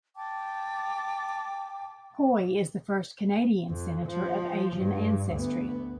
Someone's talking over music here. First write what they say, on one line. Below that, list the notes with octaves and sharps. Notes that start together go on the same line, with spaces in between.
Poy is the first Canadian senator of Asian ancestry.
G5 A5 D6
F2
F3
G2
D2 B3